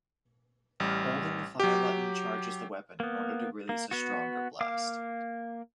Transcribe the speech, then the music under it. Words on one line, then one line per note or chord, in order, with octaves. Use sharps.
Holding the fire button charges the weapon in order to release a stronger blast.
A1 G3
F#3 G4
A#3 B3
A#3
B3 F#4
A#3 F5 D6